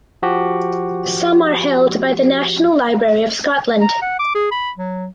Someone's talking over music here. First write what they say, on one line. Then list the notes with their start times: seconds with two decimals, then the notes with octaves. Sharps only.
Some are held by the National Library of Scotland.
0.23 F3 F#4 G4
3.81 A#5
4.02 F#5
4.19 D6
4.35 G#4
4.52 B5
4.77 F#3